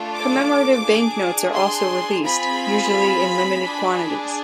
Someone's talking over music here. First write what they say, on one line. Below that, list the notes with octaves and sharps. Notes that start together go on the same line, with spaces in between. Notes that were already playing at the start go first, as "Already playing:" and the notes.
Commemorative banknotes are also released, usually in limited quantities.
Already playing: A3 D4 F4 A4
D6
D4 G#4
C6
C4 F4 G#4 B5
D4 G#4